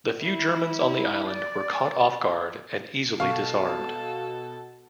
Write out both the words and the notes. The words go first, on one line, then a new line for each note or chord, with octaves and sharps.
The few Germans on the island were caught off guard and easily disarmed.
E4
D5
B2 A4 F5 C#6